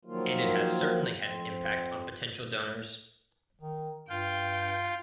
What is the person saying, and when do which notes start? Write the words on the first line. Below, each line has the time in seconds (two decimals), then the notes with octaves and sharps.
And it has certainly had an impact on potential donors.
0.05 D#3 F3 F#3 A#3 F4
1.16 F2 C4
3.62 D#3
4.09 G2 F4 G5